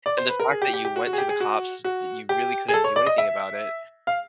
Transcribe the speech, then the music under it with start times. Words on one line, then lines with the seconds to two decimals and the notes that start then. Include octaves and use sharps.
and the fact that you went to the cops that you really couldn't do anything about it.
0.06 D5
0.17 C5
0.29 B4
0.40 A#4
0.51 G#4
0.62 G4
0.74 G4
0.85 G4
0.96 F#4
1.06 F#4
1.13 G#4
1.18 G4
1.29 G#4
1.40 F#4
1.84 F#4
2.29 G4
2.68 G#4
2.74 A4
2.84 C#5
2.96 D5
3.06 D#5
3.18 E5
4.07 F5